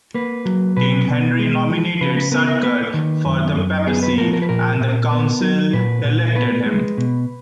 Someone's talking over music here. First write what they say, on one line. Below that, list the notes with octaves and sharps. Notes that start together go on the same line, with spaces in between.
King Henry nominated Suidger for the papacy and the council elected him.
A#3 B4
F#3
B2 B4
B2
G#3
F3
C#3 B4
B4
B3 A#4
A#4
A#3 B4
D#3
F#2
F#2
B3 G#4
B4
F3 A#4
A#4
B4
A#2 A#4
A#2
B3
F#3
A#2 B4
A#2
B3 B4
G#3
B2